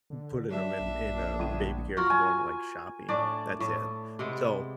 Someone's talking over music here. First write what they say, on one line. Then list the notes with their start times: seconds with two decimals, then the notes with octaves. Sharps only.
putting ‘em in in a baby carriage and going to, like, shopping. That's it. So,
0.10 D3
0.50 F#3 D4 E5
0.80 A#1
1.39 G1 D#7
1.97 F4 F#4 A#4
2.10 G#5
3.09 A2 D4 D5
3.60 A2
4.19 C3 G#3 B3